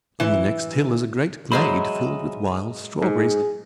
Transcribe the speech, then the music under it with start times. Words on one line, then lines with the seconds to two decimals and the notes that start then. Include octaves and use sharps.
On the next hill is a great glade filled with wild strawberries.
0.20 E3
1.52 F#3 G#3 C5 D#5 E5 B5
3.02 G#2 G#4